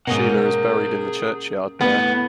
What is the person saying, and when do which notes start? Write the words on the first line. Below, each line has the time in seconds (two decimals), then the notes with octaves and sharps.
Sheila is buried in the churchyard there.
0.07 G#2 B2 A#3 C#4 G#4 D#5 F#5
1.81 A2 A3 B3